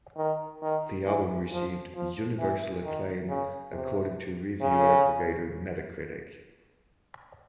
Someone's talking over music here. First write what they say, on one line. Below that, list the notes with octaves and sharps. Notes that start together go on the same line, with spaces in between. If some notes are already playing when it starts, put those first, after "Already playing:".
The album received "universal acclaim" according to review aggregator Metacritic.
D#3
D#3
E3
F3
F3
E3
D#3
C#3
C3
C#3